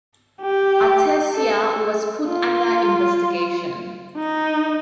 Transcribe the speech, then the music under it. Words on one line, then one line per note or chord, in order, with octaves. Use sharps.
Artesia was put under investigation.
G4
A4
F4
D#4